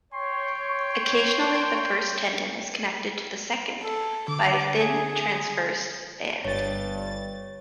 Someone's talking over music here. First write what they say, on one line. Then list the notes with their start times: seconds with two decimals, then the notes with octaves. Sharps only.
Occasionally the first tendon is connected to the second by a thin transverse band.
0.13 C#5 G5 C6 C#6
3.82 A4
4.28 D3 D6
4.75 G#4
6.45 G1 G2 C#5 A6